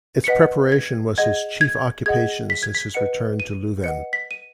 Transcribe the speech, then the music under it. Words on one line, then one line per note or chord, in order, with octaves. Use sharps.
Its preparation was his chief occupation since his return to Leuven.
C#7
B4 D#5 F#5 B6
G#6
G#4 D#5 F#5 G#6
G#6
G#4 D#5 F#5 G#6
B6
G#6
B6
B4 D#5 F#5 C#7
D#7
B4 D#5 F#5 C#7
B6
D#7